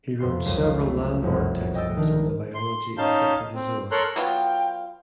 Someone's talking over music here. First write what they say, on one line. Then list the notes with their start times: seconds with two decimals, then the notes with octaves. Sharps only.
He wrote several landmark textbooks on the biology of the protozoa.
0.19 F2 C3 C6 C7
0.45 F#1 C#2 C7 D#7
0.79 A3
1.22 F1 C2 F#2 B2
1.75 D#5 G5 D#6 E6 A6 D7
1.97 D#3 D4 A#4
2.55 C6
2.98 C#4 D#4 F5 A5 G6
3.54 C4
3.91 A4 A#4 C#5 A#5 C6 F#6
4.16 F#3 B3 F4 G5